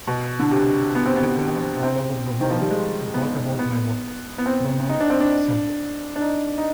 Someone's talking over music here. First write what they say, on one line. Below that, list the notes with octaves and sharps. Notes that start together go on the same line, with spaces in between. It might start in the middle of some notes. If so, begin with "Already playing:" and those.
"I traveled all over the world to talk about my work," Krenov said.
B2
D3
C3
B3
C4
B3
C4
D#3
F3
G3
G#3
B3
B3
B3
C4
D#4
D4
C4
D4
D4
D#4
D#4